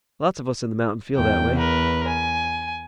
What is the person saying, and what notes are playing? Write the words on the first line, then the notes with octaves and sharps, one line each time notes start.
Lots of us in the mountain feel that way.
E2 G5
A#4 B4
G#5